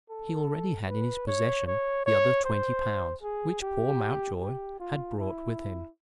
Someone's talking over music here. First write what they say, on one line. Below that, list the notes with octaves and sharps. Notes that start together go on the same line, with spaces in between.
He already had in his possession the other twenty pounds which poor Mountjoy had brought with him.
A4
B4
C#5
C#5
C#5
C5
G#4
G4
G4
F4
E4